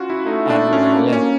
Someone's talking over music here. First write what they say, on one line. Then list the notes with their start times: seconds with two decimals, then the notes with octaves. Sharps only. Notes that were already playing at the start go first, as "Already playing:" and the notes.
I'm aware, yeah.
Already playing: C#4 F4 F#4
0.10 E4
0.26 A3 D#4
0.50 D4
0.73 C#4
0.95 A#3
1.13 C#4